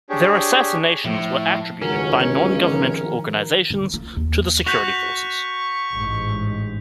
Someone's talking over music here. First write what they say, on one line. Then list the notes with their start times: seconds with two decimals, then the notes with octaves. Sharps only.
Their assassinations were attributed by non-governmental organisations to the security forces.
0.10 D4 G4 G#4 C#5
1.05 A2 F3
1.82 G1 C#2 D#3 C#4 F#4 A#4
2.71 D#3 F3 A#4
3.70 D3
3.94 F4
4.16 D#2
4.66 F#4 C#6 G6 B6 F7
5.92 A1 G#2